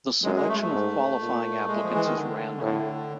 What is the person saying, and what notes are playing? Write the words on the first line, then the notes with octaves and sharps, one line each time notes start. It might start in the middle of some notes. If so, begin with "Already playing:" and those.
The selection of qualifying applicants is random.
F#2 G#3
G#3
A3
G#3
A3
G#2
A#2
G#3
F3
E3
D#3
D3
C#3
A2 D3